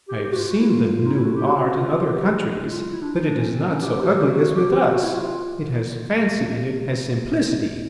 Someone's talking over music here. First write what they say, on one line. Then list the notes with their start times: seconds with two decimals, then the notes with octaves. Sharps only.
I have seen the 'new art' in other countries, but it is not so ugly as with us; it has fancy and it has simplicity.
0.08 G4
0.23 G4
0.32 F#4
0.40 F4
0.47 F#4
0.60 E4
0.69 F4
1.06 D#4
1.12 E4
1.25 F#4
1.35 G4
1.46 F#4
1.58 F#4
1.73 F#4
1.79 F4
2.02 G4
2.65 E4
2.70 F4
2.92 E4
3.02 D4
3.14 D#4
3.24 D4
3.37 C#4
3.51 C4
3.66 C#4
3.81 G4
4.03 F#4
4.18 G4
4.25 F#4
4.40 F#4
4.56 G4
4.71 G4
4.93 F#4
5.04 E4
5.14 F4